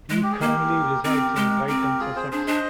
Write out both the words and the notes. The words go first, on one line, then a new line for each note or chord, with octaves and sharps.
He currently resides in Brighton, Sussex.
G#3
G4
G#4
A#3 G4 A#4
C4 G4 A#4
G#3
C4 G4 A#4
F4 G#4
G#4 C5
D4 G#4 C5
D4 C5 D#5